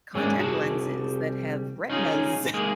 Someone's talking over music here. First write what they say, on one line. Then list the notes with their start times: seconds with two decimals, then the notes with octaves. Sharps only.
contact lenses that have retinas
0.15 G#2 G#3 A#3 C#4 D4
0.38 C2 G3 F#4 G#4 A5
1.90 C#4 D#4 F4 G#4
2.54 G#3 A#3 D#4 G#4